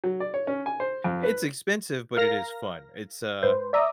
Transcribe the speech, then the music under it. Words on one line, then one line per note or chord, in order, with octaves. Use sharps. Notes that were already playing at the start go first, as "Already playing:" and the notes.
It's expensive, but it is fun, it's, uh
F#3
D5
C#5
C#4
G#5
C5
F2
B4
A#4 F5 F6 A#6
G#2 B4 C5
D5 E5 A#5 D6 D#6